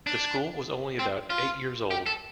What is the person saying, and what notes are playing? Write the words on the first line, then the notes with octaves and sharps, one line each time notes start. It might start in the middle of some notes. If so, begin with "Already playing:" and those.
The school was only about eight years old.
D4
C4
F4
G4
A4